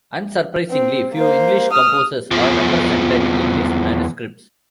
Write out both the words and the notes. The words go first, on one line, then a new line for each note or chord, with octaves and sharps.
Unsurprisingly, few English composers are represented in his manuscripts.
C4
A#3 C5
D#6 F6
E2 F3